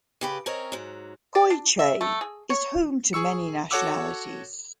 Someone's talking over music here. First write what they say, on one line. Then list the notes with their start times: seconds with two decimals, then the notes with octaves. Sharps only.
Goychay is home to many nationalities.
0.21 C#3 G4 B4
0.46 C4 C#4 A#4 C#5 D#5
0.72 G#2 F#3
1.35 D5
1.50 D4
1.79 E5
2.01 A3
2.21 G#4
2.50 C#5
3.13 G#4 C#6 E6 C#7
3.71 F#4 A4 C#5 F#5 D6 E6